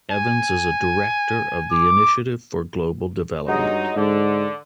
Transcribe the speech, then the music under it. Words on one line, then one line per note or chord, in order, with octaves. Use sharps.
Evans is a director of the Initiative for Global Development.
G#5
D6
G2 F#3 G#3 D#4
G#2 D3